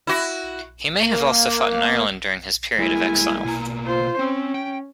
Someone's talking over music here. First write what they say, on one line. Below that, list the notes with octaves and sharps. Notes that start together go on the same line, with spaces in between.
He may also have fought in Ireland during this period of exile.
E4 F#4
A#3
G3 G#3 A#3 E4 G#5
B2 A#3 A#5
F4 C5
C4 C#4
G5